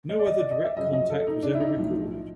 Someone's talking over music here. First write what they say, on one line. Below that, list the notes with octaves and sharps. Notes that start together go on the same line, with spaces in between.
No other direct contact was ever recorded.
D#5
D5
D#5
D5
D#5
E5
F#2 C#3 F3 D#5
D#5
A4
D#4
D4
E4
D#4
B1 A2 F3